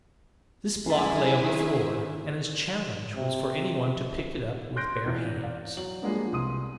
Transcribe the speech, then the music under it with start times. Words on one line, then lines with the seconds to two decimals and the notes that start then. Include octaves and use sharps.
This block lay on the floor, and his challenge was for anyone to pick it up with bare hands.
0.87 F#2 A3 E4 G#4 E5
1.41 D3 D#3
3.16 C3
4.76 C6 F#6 G6 A#6 D7
5.04 E1 E2 E3
5.41 D5 F5
5.77 F#3 F#7
6.02 F3 G3 G#3 A#3 B3 D4
6.32 C2 C6 D#6 D#7